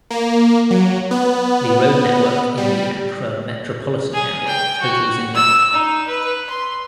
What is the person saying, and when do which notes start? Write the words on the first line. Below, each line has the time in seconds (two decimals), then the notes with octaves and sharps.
The road network in the Accra Metropolitan Area totals in length.
0.10 A#3
0.71 F#3
1.11 B3
2.58 G3
4.13 G#4
4.47 G5
4.82 F#4
5.35 E6
5.73 D#4
6.07 B4
6.50 C6